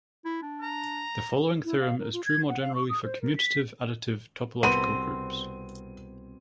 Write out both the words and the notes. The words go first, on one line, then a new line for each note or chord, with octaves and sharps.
The following theorem is true more generally for commutative additive topological groups.
E4
D4
A#5
E4
F5
A#4
F4
G#6
F#5
F5
C#6
D#6
C5
A#4
B6
C2 B2 B3 C4 A#4 B4 D#7